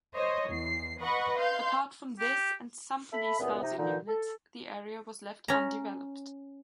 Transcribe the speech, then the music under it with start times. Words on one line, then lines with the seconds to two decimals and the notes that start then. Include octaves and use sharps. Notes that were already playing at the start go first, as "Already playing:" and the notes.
Apart from this and some police housing units, the area was left undeveloped.
0.15 C5 C#5 D#5
0.49 E2 C7
1.00 B4 D#5 F#5 B5 C#6
1.38 F5 C6 G6
2.19 G4
3.13 A4 E5 B5
3.39 C#2 G2 A#2 E3 B3
3.62 C3 D#4
3.78 A#2 D3 E3 D#4
4.08 A4
5.48 C#4 A#5